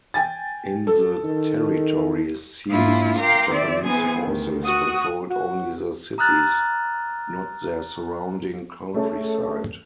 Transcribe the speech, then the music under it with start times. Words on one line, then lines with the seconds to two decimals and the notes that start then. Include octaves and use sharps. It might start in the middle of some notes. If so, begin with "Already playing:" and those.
In the territories seized, Japanese forces controlled only the cities, not their surrounding countryside.
0.14 G5 G#5 A6
0.87 A4
1.24 D#3
2.70 G#2 G#3 A#3 D4 E4 F4
3.19 A#4 F5 G5 A#5 C6 D6
3.52 D#3 C4 D5 E5
3.84 E3 B3 C4 G#4 G#5
4.22 D2 D#3
4.63 F#4 F#5 D#6
5.30 F#4
6.18 A#5 D#6 F6 F#6 A6
8.94 A3 C#4 G#4 A4